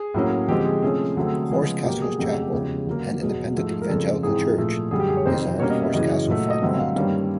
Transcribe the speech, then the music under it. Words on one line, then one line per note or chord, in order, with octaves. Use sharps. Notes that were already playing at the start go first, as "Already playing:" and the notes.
Horsecastle Chapel, an independent evangelical church, is on Horsecastle Farm Road.
Already playing: G#4
A2 F#3 A#3 C#4
D3 F3 G#3 C4 G4
G#4
C3 F3 A3 C#4 G#4
D3 F#3 A3 C4
C#3 F3 G#3 B3
B2 F#3 A#3 G4
G#4
F2 C#3 F#3 A3 G4
G#4
G4
E2 C#3 F3 G#3 G4
D3 F#3 A#3
E2 B2 F#3 B3 G#4
G#2 F3 A3
A#4
F2 C#3 F3 A4
G#2 E3 G#3 C4 G#4
A#2 F3 A3
F#2 D3 G3 G#4
G4
G#4
C#5
F2 C3 D#3 C5
B2 G3 A#3 C#4 C#5
D#5
E5
F#2 C#3 E3 D#5
A#2 F#3 A3
D#5
G2 D3 F#3 A3 C4 E5
F5
G2 D#3 G3 A#3 C#4